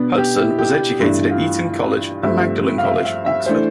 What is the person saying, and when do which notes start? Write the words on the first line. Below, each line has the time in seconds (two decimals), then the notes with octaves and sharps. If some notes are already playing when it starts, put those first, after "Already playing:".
Hudson was educated at Eton College and Magdalen College, Oxford.
Already playing: B2 B3 D4
0.18 G4
0.39 E4
0.59 G4
1.00 G2 E3 A3 D4 E4
1.31 F4
2.23 G2 F3 A3 C4 E5
2.78 F5
2.85 E5
3.05 E5
3.26 E5
3.46 E3 A3 D4 C5